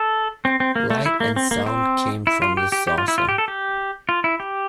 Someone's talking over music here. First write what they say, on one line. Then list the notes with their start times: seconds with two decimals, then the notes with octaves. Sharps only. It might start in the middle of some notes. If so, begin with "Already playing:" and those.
Light and sound came from the saucer.
Already playing: A4
0.45 C4
0.60 C4
0.76 A#3
0.90 A3
1.06 E4
1.20 A#3
1.36 C4
1.51 A#3
1.66 C4
2.27 E4
2.42 F4
2.57 G4
2.72 G4
2.87 G4
2.98 F4
3.08 E4
3.18 F4
3.29 G4
3.38 A4
3.48 G4
4.09 F4
4.24 E4
4.40 G4